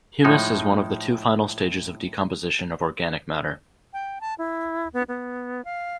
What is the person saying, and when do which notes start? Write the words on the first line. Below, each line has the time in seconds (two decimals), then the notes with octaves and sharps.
Humus is one of the two final stages of decomposition of organic matter.
0.24 A2 F3 G#3 D#4
3.93 G5
4.21 A5
4.38 E4
4.93 B3
5.08 B3
5.65 F5